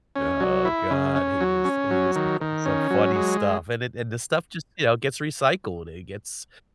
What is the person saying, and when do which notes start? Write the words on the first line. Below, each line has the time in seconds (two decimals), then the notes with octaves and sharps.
Oh god. He was he was th some funny stuff. And it and the stuff just, you know, gets recycled. It gets
0.16 C#4
0.40 F#3
0.65 E4
0.90 C#3
1.16 C#4
1.41 F#3
1.65 C#4
1.90 F#3
2.16 D#3
2.41 D#3
2.66 C#4
2.90 F#3
3.16 G#3